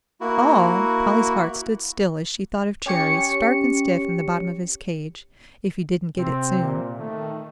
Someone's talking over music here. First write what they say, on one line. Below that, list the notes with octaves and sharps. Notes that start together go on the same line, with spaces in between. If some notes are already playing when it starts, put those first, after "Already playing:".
"All!" Polly's heart stood still as she thought of Cherry, stark and stiff in the bottom of his cage, if he didn't get it soon.
A#3 E4 F#4
C#4 G4 C#5 C#7
C3 C4
A#2
D#3 A3